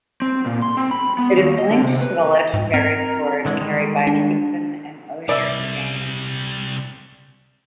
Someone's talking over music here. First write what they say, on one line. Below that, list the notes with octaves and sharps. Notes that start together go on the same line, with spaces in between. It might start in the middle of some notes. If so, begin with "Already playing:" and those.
It is linked to the legendary sword carried by Tristan and Ogier the Dane.
C4
A#2
C6
C4
B5
B3
D#2
D#5
D3
C3
B4
G#2
C4 A#4
D3 E3 G#3
D#3 G3 G#3
D4
C3 G3 D5 E5